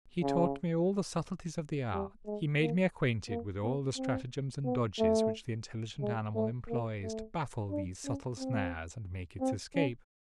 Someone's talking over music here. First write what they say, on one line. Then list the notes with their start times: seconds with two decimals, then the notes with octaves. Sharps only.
He taught me all the subtleties of the art; he made me acquainted with all the stratagems and dodges which the intelligent animal employs to baffle these subtle snares and make its escape.
0.22 C#3
1.93 G3
2.26 G#3
2.61 A#3
3.29 A#3
3.63 B3
3.97 C4
4.64 B3
4.99 A3
6.01 G#3
6.35 A3
6.68 A#3
7.03 A3
7.71 D4
8.05 C#4
8.39 C4
9.41 C4
9.75 C#4